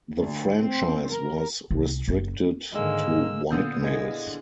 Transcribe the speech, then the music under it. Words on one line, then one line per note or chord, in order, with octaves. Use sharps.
The franchise was restricted to "white" males.
D2
C4
A#4
C2
F#1
G#2 D3 D#3 G#3 A#3 E6
A#2 D3 B3 D#6 E6 G6
E4 G#4 D#5